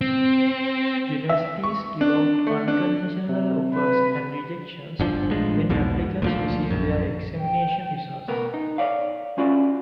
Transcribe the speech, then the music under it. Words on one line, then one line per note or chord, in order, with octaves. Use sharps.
Universities give out unconditional offers and rejections when applicants receive their examination results.
C4
E5
C#6
D4
A3
D4
C3
B4
G1 D3 F3
A1 F3 G#3 D4
B1 E2 G#2 B2
D2 A#2 F3
A#1 F#2
G5
B2 B3 A#4
D#4
C#5 D5 F5
C#4 F4 F#4 D5